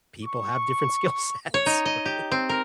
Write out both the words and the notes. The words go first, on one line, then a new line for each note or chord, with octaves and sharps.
people have different skill sets, right?
C#6
C#5
D#4
D#5
G4
C4
A#4